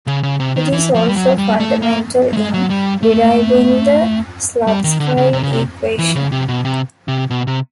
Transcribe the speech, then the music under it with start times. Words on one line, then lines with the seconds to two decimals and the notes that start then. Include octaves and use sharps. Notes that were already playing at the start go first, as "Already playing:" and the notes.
It is also fundamental in deriving the Slutsky equation.
0.07 C#3
0.23 C#3
0.40 C3
0.56 D#3
0.72 E3
0.94 F3
1.08 G3
1.16 F#3
1.38 G3
1.60 A3
1.82 A#3
2.33 A3
2.37 G#3
2.54 F#3
2.70 G3
3.03 A3
4.67 G3
4.84 D#3
5.00 D3
5.17 C#3
5.33 C3
5.43 C#3
5.53 C3
5.99 E3
6.15 C#3
6.32 C3
6.48 B2
6.65 C3
7.08 C3
7.30 B2
7.47 C3